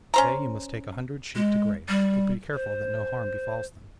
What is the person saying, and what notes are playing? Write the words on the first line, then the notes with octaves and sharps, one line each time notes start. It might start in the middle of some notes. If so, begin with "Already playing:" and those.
To-day you must take a hundred sheep to graze; but be careful that no harm befalls them.'
C#4 C5 A#5
G#3
G3
C5